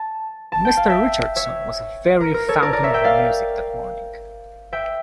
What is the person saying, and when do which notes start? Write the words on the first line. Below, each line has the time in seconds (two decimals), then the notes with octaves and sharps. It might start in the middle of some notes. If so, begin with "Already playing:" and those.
Mr. Richardson was a very fountain of music that morning.
Already playing: A5
0.52 A5
0.65 G5
0.77 F5
0.89 E5 G5
1.36 C#5 E5
2.21 A#4
2.34 A#4
2.49 A4 C#5
2.62 A#4 D5
2.73 A#4 D5
2.83 C#5 E5
2.94 E5 G5
3.04 D5 F5
4.73 E5 G5